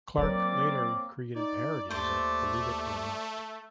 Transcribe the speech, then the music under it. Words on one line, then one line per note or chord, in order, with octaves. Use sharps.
Clarke later created parodies of Believe It or Not!
F#3 A#3 C4 A#4 C#5 D5 D6
D#4 D5
D#2 A3 C5 D5